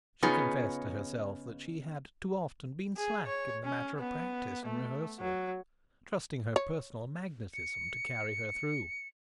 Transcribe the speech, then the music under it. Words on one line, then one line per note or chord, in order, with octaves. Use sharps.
She confessed to herself that she had too often been slack in the matter of practice and rehearsal, trusting her personal magnetism to carry her through.
C#3 B3 C#4 D#4 F4 G#4
G#4
C#5
C#4
B3
A3
F#3
C#5
C#7